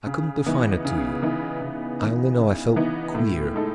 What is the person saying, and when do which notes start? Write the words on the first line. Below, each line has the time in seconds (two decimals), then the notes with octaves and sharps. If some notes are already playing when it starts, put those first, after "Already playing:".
I couldn't define it to you, I only know I felt queer.
0.07 C#3
0.46 E3 B3 D#4
0.85 C#3
1.22 E3 B3 D#4
1.61 C#3
1.99 E3 B3 D#4
2.39 C#3
2.76 E3 B3 D#4
3.15 A2
3.54 G#3 D#4 A4